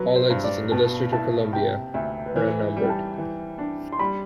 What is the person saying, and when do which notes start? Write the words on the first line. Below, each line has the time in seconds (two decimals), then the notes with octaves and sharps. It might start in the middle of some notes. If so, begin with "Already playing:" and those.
All exits in the District of Columbia are unnumbered.
Already playing: C3 F#3 B4
0.16 C5
0.30 G2
0.44 D5
0.72 B2 A5
1.12 E4 A5
1.53 C3 G5
1.94 D2 E5
2.26 B4
2.36 E3 C5
2.76 G3
2.84 G5
2.90 A5
3.18 E3
3.58 D4
3.92 C6
3.99 G3 B5